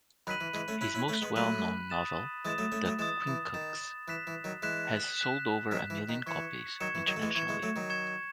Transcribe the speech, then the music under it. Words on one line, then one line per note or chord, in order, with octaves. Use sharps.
His most well-known novel, "The Quincunx", has sold over a million copies internationally.
D#3 F#3 B5 F#6 B6 D#7 F#7
E3
E3 G#3
A3 C#4
C#4 E4 B5 F#6 B6 D#7 F#7
C#4 E4
A3 C#4
G#3 B3
F#3 A3 B5 F#6 B6 D#7 F#7
D#6 A6 E7
E3 G#3 D#6 A6 E7
F#3 A3
A3 C#4
F#3 A3
E3 G#3 D#6 A6 E7
E3
D#3 D#6 A6 E7
E3 F#6 B6 E7
E3
D#3 F#3
E3 G#3 F#6 B6 E7
F#6 B6 E7
D#3 F#3 F#6 B6 E7
E3
D#3
E3 C#6 G#6 C#7 E7
D#3 F#3 C#6 G#6 C#7 E7
E3
D#3 F#3
A3
E3 G#3
E3 C#6 G#6 C#7 E7
E3 G#3
F#3 A3
D#3 F#3
C#6 G#6 C#7 E7